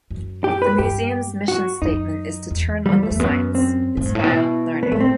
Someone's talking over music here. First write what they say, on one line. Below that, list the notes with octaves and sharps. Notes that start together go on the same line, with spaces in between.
The museum's mission statement is to Turn on the science: Inspire learning.
F#2
G4
B4
G2 G4
F#4
F#2 D#4
E2
G3
A3
E2
F#2 B3
C4
A2
G2
A2
B2 E4
B3
A2 A3
C4